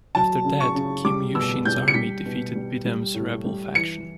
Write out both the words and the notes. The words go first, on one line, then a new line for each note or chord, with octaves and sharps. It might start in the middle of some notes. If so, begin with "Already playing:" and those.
After that, Kim Yushin's army defeated Bidam's rebel faction.
F#3 A5
C#3
C#6
C#3
G3 D6
B2 E6
G3 G6
C#7
G3 B6
B2
G3
G3
A2
G3
E3 C#7